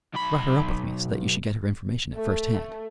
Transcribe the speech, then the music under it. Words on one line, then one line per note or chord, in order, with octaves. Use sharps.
I brought her up with me, so that you should get her information at first hand.
B1 B5
A3